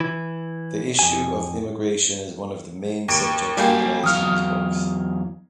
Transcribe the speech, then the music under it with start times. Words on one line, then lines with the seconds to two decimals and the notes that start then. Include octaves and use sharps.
The issue of immigration is one of the main subjects realised in his works.
0.01 E3
0.99 F2 G#5
3.08 D#2 D7
3.57 G3 A#3 F#4 A4 G5 G#5
4.03 E2 F#3 F5 D#6 F6